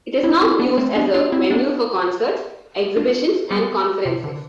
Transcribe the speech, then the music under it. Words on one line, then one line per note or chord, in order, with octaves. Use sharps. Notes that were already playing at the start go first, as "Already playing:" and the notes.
It is now used as a venue for concerts, exhibitions and conferences.
C4 E4
C4 E4
B3 D4
A3 C4
B3 D4
D4 F4
C4 E4
B3 D4
D4 F4
G3 B3
C3
D3